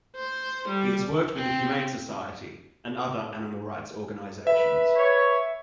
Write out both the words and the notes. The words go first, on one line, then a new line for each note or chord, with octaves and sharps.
He has worked with The Humane Society and other animal rights organizations.
C5
G3
C4
B4 E5
C#5